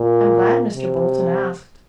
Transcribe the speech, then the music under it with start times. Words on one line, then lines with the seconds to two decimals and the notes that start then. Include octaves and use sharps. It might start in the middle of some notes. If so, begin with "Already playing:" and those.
"I'm glad Mr. Bolton asked."
Already playing: A#2
0.74 C3